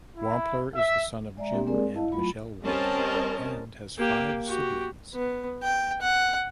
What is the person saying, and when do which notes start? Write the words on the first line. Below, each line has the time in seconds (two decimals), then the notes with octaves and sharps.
Wampler is the son of Jim and Michelle Wampler and has five siblings.
0.16 E4
0.75 E5
1.37 G#3 D5 E5 A#5
1.52 G3 A#3 C4 D4 G4
1.67 G#3 C4 G#4 A#4 D5
1.94 E4 D#5 F5 A5
2.12 F#3 A3 F4 B5
2.64 G3 C4 C#4 A#4 D#5 A5
3.97 A#3 G4
4.46 F#4 G4
5.14 B3
5.63 G5
6.01 F#5